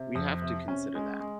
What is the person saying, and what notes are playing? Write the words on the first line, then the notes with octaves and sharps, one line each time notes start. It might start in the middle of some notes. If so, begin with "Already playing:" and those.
We have to consider that.
Already playing: C3
F2
C3
C#4
G#3
G#3